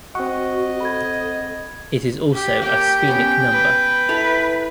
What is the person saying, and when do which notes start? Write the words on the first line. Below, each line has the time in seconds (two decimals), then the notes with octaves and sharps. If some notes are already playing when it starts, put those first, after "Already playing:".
It is also a sphenic number.
0.15 C4 F#4 D#5 F#5 C#6
0.81 A4 B5 G#6
2.33 G4
2.62 A#3 G4 C#5 G5
3.08 B3 C#4
3.52 B4
4.09 E4 A4 A#5